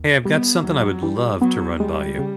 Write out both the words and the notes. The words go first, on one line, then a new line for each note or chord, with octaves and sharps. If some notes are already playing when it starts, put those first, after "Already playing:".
Hey, I've got something I would love to run by you.
Already playing: D#2
G3 B3
D#2 F#3
E3 G3
F#3 B3
G3 G#3
C#3